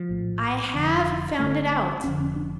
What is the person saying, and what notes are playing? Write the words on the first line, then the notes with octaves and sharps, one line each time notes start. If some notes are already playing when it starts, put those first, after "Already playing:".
I HAVE found it out.
Already playing: F3
A#1 A2
F1 F2 D3
G1 G2 D3 A3
F1 F2 D3 C#4
C#4
D4